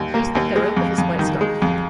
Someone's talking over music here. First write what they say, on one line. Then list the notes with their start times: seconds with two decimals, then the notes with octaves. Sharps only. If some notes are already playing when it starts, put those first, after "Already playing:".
Pooh’s the hero with his white scarf.
Already playing: D#2
0.14 A#3
0.35 D#2
0.56 G#3
0.76 F2
0.98 F2
1.19 D#3
1.41 G#3
1.62 F2